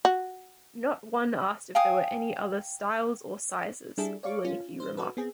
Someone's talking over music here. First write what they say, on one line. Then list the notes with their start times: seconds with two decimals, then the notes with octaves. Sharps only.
Not one asked if there were any other styles or sizes, Hulanicki remarked.
0.05 F#4
1.75 F5 G5 G#5 D#6
3.98 G3 D4 E4 G#4 A4
4.23 C#5 D5 F5 C#6 D6
4.45 C#4 F4
4.80 C5
4.97 F#4 A4 B4
5.17 B3 C4 G#4